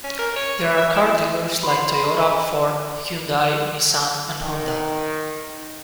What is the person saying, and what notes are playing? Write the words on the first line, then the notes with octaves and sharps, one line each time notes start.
There are car dealers like Toyota, Ford, Hyundai, Nissan, and Honda.
C#4
A#4
C#5
E4
E5
E4
B5 C6
D#4 E5
D#3